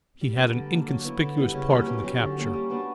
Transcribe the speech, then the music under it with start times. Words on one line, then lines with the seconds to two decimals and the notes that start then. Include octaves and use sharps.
He had an inconspicuous part in the capture.
0.21 G3
0.37 B3 D4 A#4
0.54 D3
0.71 A#3 D4
0.88 F#3
1.04 B3 E4
1.21 D3
1.37 G3 B3 E4
1.53 C#3
1.70 G3 A#3 C#4
1.87 B2
2.03 F#3 C#4 G4
2.20 D3
2.37 G3 A#3 C#4
2.53 G3
2.70 B3 D4 F#4